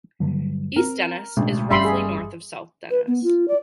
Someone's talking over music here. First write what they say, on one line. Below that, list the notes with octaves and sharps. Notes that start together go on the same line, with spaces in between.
East Dennis is roughly north of South Dennis.
G2 D3 F#3
C4 A#4
A1 D2 B2 G#3 A3
G1 G3 A3 C#4 E5 B5 C6
G#4
B4
B3
F4
D5